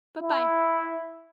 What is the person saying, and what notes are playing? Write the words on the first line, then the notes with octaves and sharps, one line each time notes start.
Bye bye.
E4